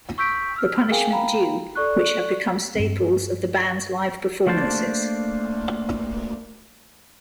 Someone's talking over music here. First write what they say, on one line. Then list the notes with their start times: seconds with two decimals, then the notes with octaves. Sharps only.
The Punishment Due, which have become staples of the band's live performances.
0.18 C#6 E6 G6 B6 D7
0.56 E6 F6
0.89 G#4 A#4 F5 G5 G#5
1.11 F5 G5 A#5 B5
1.75 A4 D5 C#6 F#6
2.75 G2 G3 C4
4.47 A3 A#3 D4 C5 A5